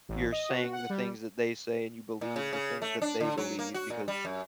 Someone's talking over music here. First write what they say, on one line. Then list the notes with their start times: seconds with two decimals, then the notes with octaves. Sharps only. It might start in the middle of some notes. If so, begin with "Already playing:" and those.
you're saying the things that they say, and you believe the things that they believe, because
0.09 A1
0.32 D#5
0.49 F#4
0.73 F#5
0.90 G3
2.21 A#2
2.36 C#3
2.53 C#3
2.82 A3
3.02 D4
3.20 D3
3.38 F#3
3.59 A#3
3.74 F#4
3.90 A#2
4.08 G3
4.25 F#2